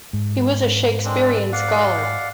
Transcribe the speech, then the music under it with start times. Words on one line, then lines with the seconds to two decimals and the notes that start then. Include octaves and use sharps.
He was a Shakespearian scholar.
0.13 G#2
1.05 G#3 C4 D4
1.53 D5 F5 F#5